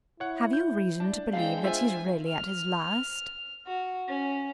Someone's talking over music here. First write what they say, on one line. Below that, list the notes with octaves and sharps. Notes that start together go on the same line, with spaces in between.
"Have you reason to believe that he's really at his last?"
E4 C#5 F#5
G6
D4 A5
G#3 B3 C4 D4 F5 G5
F4 C5 E5 G#5
F6
F#4
C#4